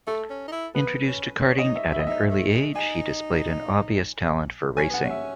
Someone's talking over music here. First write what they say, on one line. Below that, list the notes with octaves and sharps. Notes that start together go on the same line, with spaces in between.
Introduced to karting at an early age, he displayed an obvious talent for racing.
A3 A4
C#4
D#4
E4
B3 B4
C#4
B3 C#5
C#4 D#5
D#4
E5
E4 E5
D#5
D#4 E5
A3
G#3
D#4 G#5
C#4 G#5
B3 F#5
C#4
E5